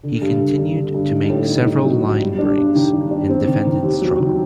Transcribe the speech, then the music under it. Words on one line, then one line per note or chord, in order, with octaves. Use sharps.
He continued to make several linebreaks and defended strong.
D3
G2
D3
G2
D3
G2
D#4
A2
D#4
D#4
F#3
F#3
G3
D4
G2
D#3
G2
D4
C4
D#3
D#3
D#2
F#3
D#3